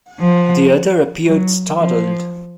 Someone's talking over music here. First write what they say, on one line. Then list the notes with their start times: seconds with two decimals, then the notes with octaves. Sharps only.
The other appeared startled.
0.20 F3
1.26 F#3
1.78 F3